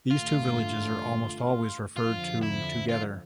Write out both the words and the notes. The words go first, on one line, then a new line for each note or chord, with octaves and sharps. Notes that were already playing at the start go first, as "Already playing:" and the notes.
These two villages are almost always referred to together.
A1 G2 D3 A3 F4
F2 D3 F3 F4
E4
F4